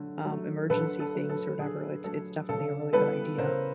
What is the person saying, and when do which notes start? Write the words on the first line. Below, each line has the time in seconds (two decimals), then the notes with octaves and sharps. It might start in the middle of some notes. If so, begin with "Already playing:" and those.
um, emergency things or whatever, it it's definitely a really good idea.
Already playing: D3 F#3 A3
0.25 F#3 A3
0.70 D3 A4 B4
1.00 A4
1.15 F#3 A3
1.29 A4
1.59 D3 G#4
2.04 F#3 A3 A4
2.49 C#3 A4
2.93 E3 G3 B3 A4 B4
3.38 C#3 A#4 C5